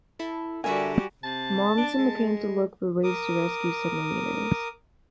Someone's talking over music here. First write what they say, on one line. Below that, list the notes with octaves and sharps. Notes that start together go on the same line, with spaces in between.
Momsen began to look for ways to rescue submariners.
E4 A4
D3 G3 D4 F#4 G4 A#4 E5 G#5
C3 A5
D4
G#3
A#4 D6 D#6